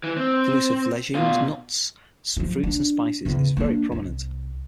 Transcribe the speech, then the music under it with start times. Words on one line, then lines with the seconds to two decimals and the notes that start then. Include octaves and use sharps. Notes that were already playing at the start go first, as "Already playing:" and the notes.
The use of legumes, nuts, fruits and spices is very prominent.
0.04 E3
0.17 C4
1.15 B2 F4
2.37 F3 F#3
2.63 D4
3.25 E2 C#3
3.57 A#3 D4
3.92 C2